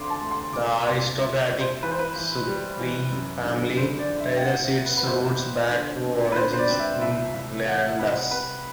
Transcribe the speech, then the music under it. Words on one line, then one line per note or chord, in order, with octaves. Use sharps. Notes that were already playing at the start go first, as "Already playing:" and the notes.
The aristocratic Sucre family traces its roots back to origins in Flanders.
Already playing: D2 D3 C6 D6
A5
A3
C6
C3 D6
C2 C6
G3 E5
D5
G3
C5
E3 B4
C5
B4
E3
G3
E3
F#2
D3
D3 C5
D5
D3
E5
G5
C4 F#5
E5
C4
B4
B4
A2 C5
C4
D3
C4
B4
D3 C5
C5
D5
C4
D5
E5
C2 E5
C2
E3 F#5
E5
C3 B4
C5
C3 B4